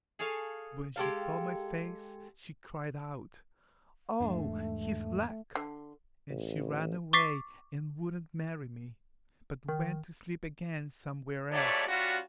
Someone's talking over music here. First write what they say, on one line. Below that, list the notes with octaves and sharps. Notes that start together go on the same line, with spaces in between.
But when she saw my face she cried out, 'Oh, he's black!' And she ran away and wouldn't marry me--but went to sleep again somewhere else.
G#4 A4 C#5 F5 G#5
G#3 G4 A4 F5
E2 G#2 A3 D4
A3
D3
A1
C#6 D6 A6 B6 C7
D#3
G#2 B2 F3 A3 C#5 D5
G3 C#4 F4 F#4